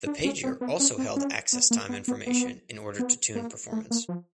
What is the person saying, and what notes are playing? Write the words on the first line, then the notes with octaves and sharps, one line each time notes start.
The pager also held access time information in order to tune performance.
D4
C#4
C4
B3
C#4
C4
C#4
B3
A#3
B3
B3
B3
B3
A#3
A3
A#3
F3